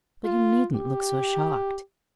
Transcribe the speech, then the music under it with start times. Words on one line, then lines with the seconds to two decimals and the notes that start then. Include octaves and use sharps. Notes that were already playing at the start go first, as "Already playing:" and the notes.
But you needn't look so shocked.
0.24 F4
0.76 G4